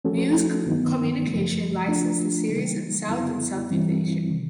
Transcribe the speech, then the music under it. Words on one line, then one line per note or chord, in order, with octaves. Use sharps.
Muse Communication licensed the series in South and Southeast Asia.
F3 A3 C#4 F#4 A4
G2 D#3 F#3 B3 D#4
F#2 C#3 F3 A3
F3 A3 D4 F4
C#3 E3 G3 A#3 D#4
F#2 D3 F#3 B3 E4
G2 E3 G3 C4 E4
C3 D#3